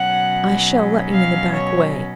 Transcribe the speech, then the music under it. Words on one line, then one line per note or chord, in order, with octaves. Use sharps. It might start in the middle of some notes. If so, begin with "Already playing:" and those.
I shall let you in the back way.
Already playing: B2 F#3 C#4 F#5
F5
C#5